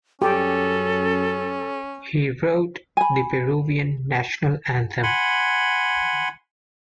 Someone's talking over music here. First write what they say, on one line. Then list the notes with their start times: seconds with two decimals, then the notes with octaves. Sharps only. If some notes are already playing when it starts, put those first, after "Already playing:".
He wrote the Peruvian national anthem.
0.22 F#2 C#4 G4 A4
2.97 G#5 B5
5.03 F#5 G#5 B5 C6